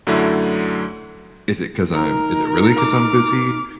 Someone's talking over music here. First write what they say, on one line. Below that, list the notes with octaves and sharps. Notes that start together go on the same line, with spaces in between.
is it 'cause I'm is it really 'cause I'm busy,
F#2 D3 F#3 A3 E4
D#4 A#4
D6 F6